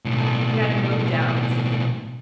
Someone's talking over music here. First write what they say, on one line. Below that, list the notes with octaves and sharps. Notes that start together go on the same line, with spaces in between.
He had no doubts.
B1 A2